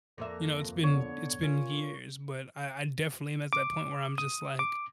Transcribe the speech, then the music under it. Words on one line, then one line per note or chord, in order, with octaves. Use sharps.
You know, it's been it's been years, but I I definitely am at that point where I'm just, like,
F2 A#3 A4 E5 A#6
D3 B3 C#5
C#4 F4 A#4
D6
D#6
D6